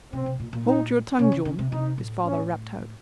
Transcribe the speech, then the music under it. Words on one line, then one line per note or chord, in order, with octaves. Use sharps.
"Hold your tongue, John," his father rapped out.
C3 C4
C3
A#2
A#2
D#4
C3 C#4
C#3
C#3
C3
C3 D#4
A2
C#4